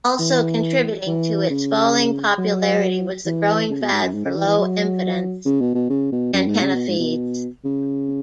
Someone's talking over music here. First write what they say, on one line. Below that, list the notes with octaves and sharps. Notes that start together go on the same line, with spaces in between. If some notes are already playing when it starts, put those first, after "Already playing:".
Also contributing to its falling popularity was the growing fad for low-impedance antenna feeds.
E3
E3
C#3
F#3
E3
C#3
B2
G#2
F#2
G#2
C#3
E3
E3
F#3
C#3
B2
B2
C#3
B2
F#2
G#2
C#3
B2
G#2
B2
C#3